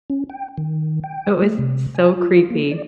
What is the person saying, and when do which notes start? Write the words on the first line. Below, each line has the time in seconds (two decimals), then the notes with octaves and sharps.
It was so creepy,
0.10 C#4
0.30 G5
0.58 D#3
1.04 G5
1.42 A3
1.59 C3
1.95 G#5
2.14 F4
2.50 A#3
2.71 D5